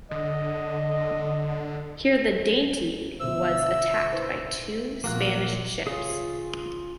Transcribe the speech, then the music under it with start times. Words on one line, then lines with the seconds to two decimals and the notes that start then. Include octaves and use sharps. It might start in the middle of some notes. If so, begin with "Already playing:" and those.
Here the "Dainty" was attacked by two Spanish ships.
0.11 D3 D#5
3.20 B2 D3 C5 E5 E6
4.12 E4 B4 C5
5.04 A#1 A#3 F4 F#4 A#5 F#6
5.87 C#3 F4 G#4